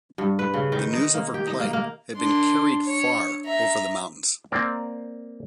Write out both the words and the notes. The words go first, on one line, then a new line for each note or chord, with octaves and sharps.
The news of her plight had been carried far over the mountains.
G2
B4
C#3
D#3
D#4
A#3
G4
D#4
A#3
A#3
D4 C6
C#5
E5 A#5
A#3 C4 C5 D5 F5